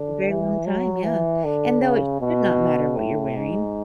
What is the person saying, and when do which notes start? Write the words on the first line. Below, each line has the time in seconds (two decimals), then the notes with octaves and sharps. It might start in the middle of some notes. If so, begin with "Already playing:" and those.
A very long time, yeah, and though it should not matter what you're wearing,
Already playing: D3
0.29 E3
0.67 F#3
1.05 E3
1.44 D3
1.81 C#3
2.20 B2
2.97 A2
3.36 G#2